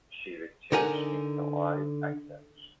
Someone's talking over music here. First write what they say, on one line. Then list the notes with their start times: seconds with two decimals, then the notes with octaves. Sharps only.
She, with tears in her eyes, accepts.
0.72 D3 D#4 A#4 F#5 G#5